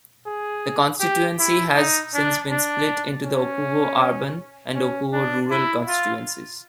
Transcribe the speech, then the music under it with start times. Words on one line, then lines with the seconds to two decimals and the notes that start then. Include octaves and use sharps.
The constituency has since been split into the Opuwo Urban and Opuwo Rural constituencies.
0.26 G#4
1.01 G4
1.39 E4
1.75 D#4
2.14 D4
2.51 D4
3.25 C#4
4.75 C#4
5.13 D4
5.51 E4
5.88 F4